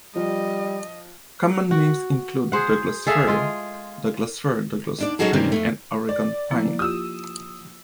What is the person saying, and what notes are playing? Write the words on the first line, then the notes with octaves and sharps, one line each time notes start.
Common names include Douglas fir, Douglas-fir, Douglas tree, and Oregon pine.
F3 G3 D#5
F#4
G#4 C5 F#5
G#4 A4 E5 F5
G#3 F4 G#4
D#2 D4 D5
F#3 C#4 D#4 F#4 G#4 A4
G2 C3 D#3 G3 C#4
F2 G#2 A3
D5
F3 A#3 E4
F4 G4 D#6 E6